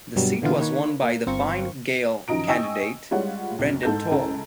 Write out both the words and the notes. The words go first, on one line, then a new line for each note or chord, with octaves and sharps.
The seat was won by the Fine Gael candidate Brendan Toal.
G2 B2 F#3 G3
A#2 D3 E3 B3 F4
D#3 A#3 B4 C#5
A#3
G1 C4 F4 A#4 C#6
F#2 D#3 F3 D#5 A#5 D7
D#5 G5 G#5 C#6 E6
G3 G#3 F4 C#5 F#5
B1 F#2
G#2 A4 G6
C#2 E4 A4 A#5